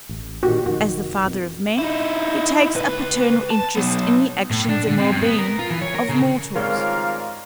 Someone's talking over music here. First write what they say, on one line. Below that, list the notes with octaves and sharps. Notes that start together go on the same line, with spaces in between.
As the father of men, he takes a paternal interest in the actions and well-being of mortals.
A1
A#2 D#3 F#4 G4
F1 D#3 F#4
F2 B2
D#4 E4
C#2 B4
A5
F#3 B3
A2
D4
D3
C3
G2
B3
A#4
F4
E3
C#5
A#4
C#3
G#1 F3 G3 G#3 F4 A#4 C#5 F5